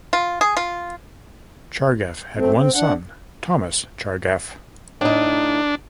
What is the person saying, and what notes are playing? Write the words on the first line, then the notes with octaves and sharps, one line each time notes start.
Chargaff had one son, Thomas Chargaff.
F4
G#4
F4
F#2 A3 C4
C4
D4 F#5
A2 D4 D#4